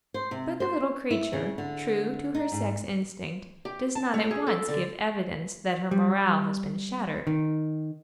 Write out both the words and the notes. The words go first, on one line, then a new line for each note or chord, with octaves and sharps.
But the little creature, true to her sex-instinct, does not at once give evidence that her morale has been shattered.
C5
C3
C5
E4
C#3
D3
D#4
G#2
G4
A5
A3
G#4
A4
D3
G3
D#3